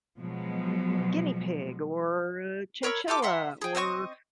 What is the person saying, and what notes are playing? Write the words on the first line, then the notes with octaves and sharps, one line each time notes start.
guinea pig, or a chinchilla, or
B2 F3 F#3 G#3
A#4 C#5 B5 E6
F4 G4 A4 D6
E5 F#5 A#5 C6
G#4 G5
C4 D#5 G5 C#6